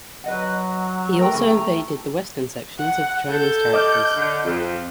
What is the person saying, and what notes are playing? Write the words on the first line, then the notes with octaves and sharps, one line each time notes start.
He also invaded the western sections of the Chinese territories.
F#3 B4 D#5 F#5
A3 A#4 G5
C#3 E3 G#4
G5 A#5
F#5
A4 G6
D#5 D6 F6
D3
F2